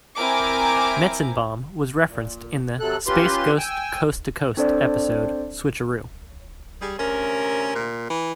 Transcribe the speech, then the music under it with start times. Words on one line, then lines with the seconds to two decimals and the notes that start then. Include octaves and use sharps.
Metzenbaum was referenced in the "Space Ghost Coast to Coast" episode "Switcheroo".
0.17 C4 E4 A#4 G#5 A#5 D6
2.07 A#2
2.80 C3 F#3 A4 F#6
3.07 C#4 F4 G4 B4 C6
3.57 G5 G#5 E6
4.57 C4 D4 A4 C5 D5
6.81 G3 G#4
6.99 D2 C3 C#4 A#4
7.75 A#2
8.10 E3